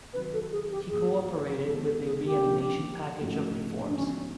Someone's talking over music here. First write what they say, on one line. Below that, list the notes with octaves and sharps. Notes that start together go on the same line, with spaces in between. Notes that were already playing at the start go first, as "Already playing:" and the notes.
He cooperated with the Reanimation Package of Reforms.
C3 D#3 F#3 B4
A4
G#4
G4
G#2 F3 A#3 G#4
D#3 G#3 B3 D#4 G4 A4
A4
G#4
G4
D3 F3 A#3
G#2 F3 A3 C#4 F#4
D4
D3 F3 G#3 B3 C#4 D#4